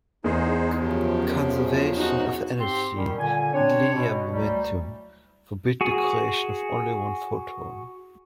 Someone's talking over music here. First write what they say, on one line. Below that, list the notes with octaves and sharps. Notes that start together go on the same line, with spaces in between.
Conservation of energy and linear momentum forbid the creation of only one photon.
E2 D#4 G#4 C5
F#2 C#3 F3 G4
D#4 F#4
G#2 C4 G4 C6
D#3 G3 C#4
A#2 D3 G#5
C4 D4 C#5
B2
D2 F#3 G3
F#4 G#4